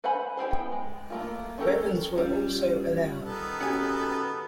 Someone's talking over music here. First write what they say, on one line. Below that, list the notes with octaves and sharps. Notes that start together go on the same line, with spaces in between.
Weapons were also allowed.
B4 C5 F#5 G#5 B5
E4 G4 G#4 C5
B3 G5
G#3
A3 A#3 F4
C#4 D#4 G4 A4 A#4
G3 C#4 F4
D#3 B3 A4
C#4 F#4 G4 F#5 G#5